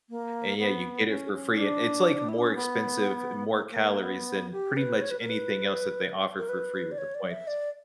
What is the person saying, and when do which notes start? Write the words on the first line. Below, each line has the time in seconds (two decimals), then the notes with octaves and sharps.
and yeah, you get it for free, and it's, like, more expensive, and more calories, than pretty much anything else that they offer for free with the points.
0.10 A#3
0.59 B3
1.08 C#4
1.33 C#4
1.58 D4
2.29 E4
2.38 D4
2.47 C#4
2.56 B3
3.54 A#3
3.70 A#3
4.03 B3
4.52 G4
4.77 B4
5.01 C#5
5.11 B4
5.19 A#4
5.29 B4
6.38 A#4
6.49 B4
6.92 D5
6.98 C#5
7.15 D5
7.31 E5
7.47 D5